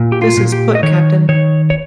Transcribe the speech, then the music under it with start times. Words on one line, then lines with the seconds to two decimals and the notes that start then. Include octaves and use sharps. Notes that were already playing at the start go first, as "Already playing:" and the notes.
This put Cpt.
Already playing: A#2
0.12 G4
0.22 F4
0.37 A#2
0.52 G4
0.75 D#5
0.83 D#3 C#5
1.29 D#3 C#5
1.70 C#5